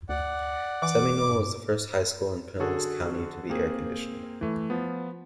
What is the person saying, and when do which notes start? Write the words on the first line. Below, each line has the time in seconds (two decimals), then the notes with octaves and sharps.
Seminole was the first high school in Pinellas County to be air-conditioned.
0.09 D2 D5 F#5
0.82 E3 D6
1.31 G2
2.60 D3 F#4 G#4 A4
3.50 A#3 C4 G#4
4.41 E3 A3
4.70 F3 B3